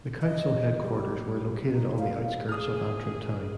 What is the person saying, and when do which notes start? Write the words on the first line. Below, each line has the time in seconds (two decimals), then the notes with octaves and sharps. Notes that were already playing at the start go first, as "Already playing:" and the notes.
The council headquarters were located on the outskirts of Antrim town.
0.22 D#5
0.82 G3
1.25 G3
1.72 D#4
1.99 F5
2.49 G#4 D#6 F6